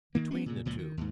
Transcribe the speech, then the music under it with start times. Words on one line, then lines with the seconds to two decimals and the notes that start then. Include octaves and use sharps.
"Between the two."
0.15 D#3 A#3
0.31 G3 B3 C#4 D4
0.46 A#2 C#3
0.65 C#2 A#2 F3
0.78 D#3
0.97 D#2 G#2